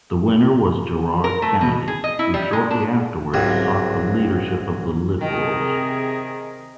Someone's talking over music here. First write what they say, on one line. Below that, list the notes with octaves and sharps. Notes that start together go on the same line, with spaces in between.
The winner was Gerard Kennedy who shortly afterwards sought the leadership of the Liberals.
A#4
A3
B2
G#4
D#5
E4
G3
G#3
D4
C2 G#2 C#3 F#3 G3
C3 D#3 G#4 A#4